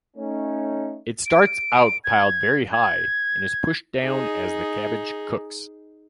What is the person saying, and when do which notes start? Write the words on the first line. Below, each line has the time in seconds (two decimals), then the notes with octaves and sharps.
It starts out piled very high and is pushed down as the cabbage cooks.
0.17 A3 C#4 D#4
1.26 D7
2.04 G#6
2.72 G#6
4.03 D#4 G#4